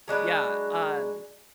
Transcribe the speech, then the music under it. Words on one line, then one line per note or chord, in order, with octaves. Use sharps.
Yeah, um,
F#3 G#3 D4 B4